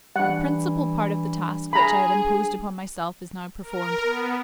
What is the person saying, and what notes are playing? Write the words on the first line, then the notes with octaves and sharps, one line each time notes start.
The principal part of the task which I had imposed upon myself is now performed.
E3 G3 D4 F#5
G#4 A#5 B5
A#4
B3